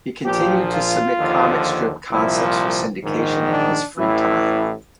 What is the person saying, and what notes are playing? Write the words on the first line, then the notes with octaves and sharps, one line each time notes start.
He continued to submit comic strip concepts for syndication in his free time.
A#1 A#2 F3 G4
F4
D#2 D3 F3
C2 A#2 F3 E4
A#1 G#2 D#3
D4
A1 A2 E3 E4